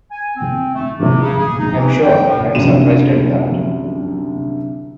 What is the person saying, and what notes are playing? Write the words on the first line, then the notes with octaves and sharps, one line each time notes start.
I'm sure I'm surprised at that.
G#5
C4
A3
C3
C#3
G#4
D#4
E3
G5
A2
C2 F#2 D3 D#7 E7